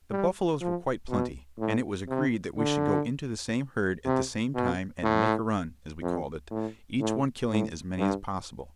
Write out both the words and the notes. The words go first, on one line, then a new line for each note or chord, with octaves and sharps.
The buffaloes were quite plenty, and it was agreed that we should go into the same herd at the same time and "make a run," as we called it, each one killing as many as possible.
G3
F3
B2
A2
C3
D3
C3
B2
A2
F2
A2
A2
A2
G2